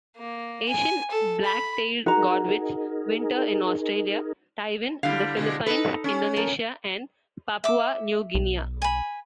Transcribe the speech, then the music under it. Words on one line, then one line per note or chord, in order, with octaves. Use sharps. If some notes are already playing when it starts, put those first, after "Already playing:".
Asian black-tailed godwits winter in Australia, Taiwan, the Philippines, Indonesia, and Papua New Guinea.
A#3
G#5
A4
B5
D#4 F#4 G#4 A#4 A#5
D3 G3 E4 F5
B2 D3 G#3
D#4 A4 B4
C#4
F3 A4 A#4
E5 D6
B1
G#5 B5